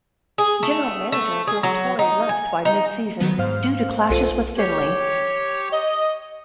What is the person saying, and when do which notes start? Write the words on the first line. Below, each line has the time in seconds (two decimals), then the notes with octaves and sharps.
General manager Bill Torrey left by mid-season due to clashes with Finley.
0.38 G#4
0.63 A3
1.12 A3
1.47 G#4
1.63 F#3
1.99 D#4
2.29 G#5
2.65 D#4
3.20 D#3 F#3 B3
3.38 G#2 C5 F5 F6
4.10 B1 F4 A4 C5 D#7
4.57 G4 C#5
5.72 D#5